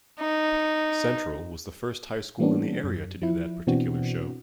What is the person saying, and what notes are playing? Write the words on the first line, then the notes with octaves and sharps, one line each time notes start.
Central was the first High school in the area to do that particular show.
D#4
E3 G3 A#3 B3 C#4 D4
F#2
F3 E4
B2 E3 C4 D4 F#4